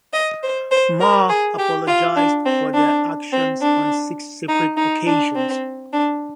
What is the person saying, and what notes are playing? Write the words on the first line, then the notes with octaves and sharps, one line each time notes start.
Ma apologized for their actions on six separate occasions.
D#5
C5
C5
A#4
G#4
G4
F4
D4
C4
D4
C4
D4
D#4
D#4
D4
C4
D4